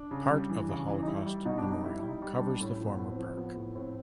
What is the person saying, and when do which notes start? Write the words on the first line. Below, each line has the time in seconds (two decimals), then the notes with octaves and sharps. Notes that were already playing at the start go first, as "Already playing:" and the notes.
Part of the Holocaust Memorial covers the former park.
Already playing: D4
0.11 C#3
0.30 G3
0.49 E3
0.69 C#3
0.88 E3
1.02 D#4
1.07 G3 E4
1.26 G3
1.45 B2 D#4
1.58 D4
1.64 G3
1.70 D#4
1.83 G3 E4
1.99 G3 E4
2.08 D#4
2.22 G3
2.34 D4
2.41 G3
2.61 A2 C#4
2.80 F3
2.86 B3
2.98 A2
3.11 C4
3.18 F3
3.37 F3 B3
3.56 A2
3.75 A2 C4